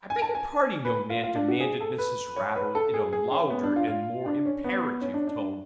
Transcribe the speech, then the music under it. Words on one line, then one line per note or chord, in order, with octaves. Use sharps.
'I beg your parding, young man,' demanded Mrs. Raddle, in a louder and more imperative tone.
G#5
A5
G#5
B4
F4
F4
D4
F#4
G#4
A4
B4
C#5
B4
A4
G#4
G#4
C#4
B3
D4
F4
F4
D4
C#4
B3
C#4
D4
D4